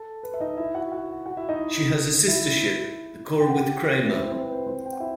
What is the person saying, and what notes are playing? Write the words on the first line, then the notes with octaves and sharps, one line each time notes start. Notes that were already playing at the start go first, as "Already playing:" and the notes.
She has a sister ship, the "Corwith Cramer".
Already playing: A4
B4
E5
D#4 D#5
E4 E5
F#4 F#5
F#4 F#5
F#4 F#5
E4 E5
D#4 D#5
E4 E5
G5
F#5
G4 G5
E4 E5
C4 C5
C4 C5
B4
C5
B4
C4 C5
G5
F#5
E4 E5